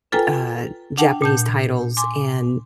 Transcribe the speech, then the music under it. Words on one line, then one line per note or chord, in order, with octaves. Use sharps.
uh, Japanese titles and
F4 A4 B4 G5 G#5 A#5
D4 F#5 G5 A5
A#2 A5 G6
G#5 C6 D6